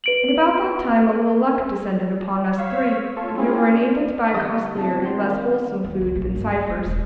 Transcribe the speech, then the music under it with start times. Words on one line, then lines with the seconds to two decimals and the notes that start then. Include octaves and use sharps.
And about that time a little luck descended upon us three, and we were enabled to buy costlier and less wholesome food than Cypher's.
0.04 B4 D7 F#7
2.58 C#5 F5 E6 B6
3.16 F4 A4 C#5
3.37 C4 C#4 E4 F4 G#4
4.34 D3 E3 G3 B3 D#5
4.76 B3 C4 E4 A5
5.02 F#4 C5 G5
5.19 D#3 A#3
5.84 D#2
6.01 C#2
6.15 A#1
6.35 G2
6.69 G#3
6.85 D#1